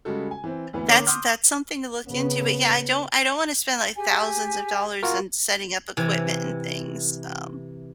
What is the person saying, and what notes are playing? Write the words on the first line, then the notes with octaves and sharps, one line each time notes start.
That's that's something to look into, but yeah, I don't I don't wanna spend, like, thousands of dollars in setting up equipment and things. Um.
C#3 G3 G#3 F#4 A4
G#5
E3 C4
D2 E3 B3
D3 A#3 C#5 D6
C6 D6 D#6 F6 G6
C#3 B3
G4 G#4 G#5
F4 F#4 A#4
C3 E3